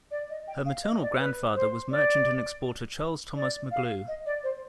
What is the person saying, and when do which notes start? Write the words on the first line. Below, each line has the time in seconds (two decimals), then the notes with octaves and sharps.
Her maternal grandfather was merchant and exporter Charles Thomas McGlew.
0.11 D5
0.30 D#5
0.48 G5
0.66 F5
0.83 D#5
1.02 D5
1.19 B4
1.55 C5
1.91 D5
3.36 D5
3.72 F5
4.08 D#5
4.26 D5
4.43 C5